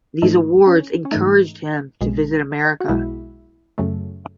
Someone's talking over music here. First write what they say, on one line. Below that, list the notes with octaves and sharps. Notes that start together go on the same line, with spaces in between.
These awards encouraged him to visit America.
G#2 E3 A3 D#4
C#4
C#4
G#2 E3 A3 D#4
B1 B2 G#3
F#4
B1 B2 G#3 E4
F#2 C#3 F#3 A3